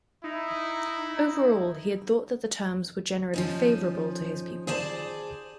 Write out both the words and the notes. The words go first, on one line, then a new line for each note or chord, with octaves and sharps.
Overall, he had thought that the terms were generally favourable to his people.
D#4 E4
F3 C#4 D#4
G#4 C5 D5 A5